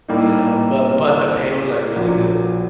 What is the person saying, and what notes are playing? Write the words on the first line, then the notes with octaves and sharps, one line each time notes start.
you know, but but the pay was, like, really good,
A2 G3 A#3 D#4
A#1 A#2 F#3